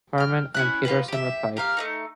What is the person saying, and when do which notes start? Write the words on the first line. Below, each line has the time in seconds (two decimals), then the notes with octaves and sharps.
Herman and Peterson replied.
0.18 G5 F6
0.54 C#4 E4 F#6
0.85 D#4 F4 G4 B4
1.08 G4 E5
1.57 G4 A#4 F5
1.77 A3 C4 D#4